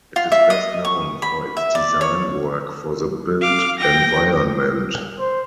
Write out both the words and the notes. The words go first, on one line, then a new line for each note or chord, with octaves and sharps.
It is best known for its design work for the built environment.
F4
E5
D#5
C#6
B5
E5
D5
C#5
F5 D6
G5 A#6
C5